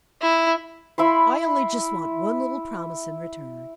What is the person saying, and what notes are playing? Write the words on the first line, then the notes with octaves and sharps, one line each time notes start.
"I only just want one little promise in return."
E4
E4 E5 B5 C6